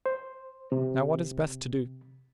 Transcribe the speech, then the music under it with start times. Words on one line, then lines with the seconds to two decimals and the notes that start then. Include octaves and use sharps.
Now what is best to do?
0.06 C5
0.72 C3